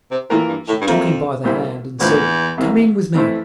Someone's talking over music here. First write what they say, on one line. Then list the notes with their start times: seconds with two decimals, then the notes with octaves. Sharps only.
She took him by the hand and said, "Come in with me."
0.11 C3
0.30 A2 E3 A#3 F4 A#4
0.49 G2
0.68 A2
0.81 G2
0.87 F2 F3 A#3 F4 A#4 E5
1.44 C2 A#2 G3 C4 E4
2.00 A#1 E2 A2 F3 A#3
2.58 C2 C3 E3 A#3
3.14 F2 E3 A3 C4 E4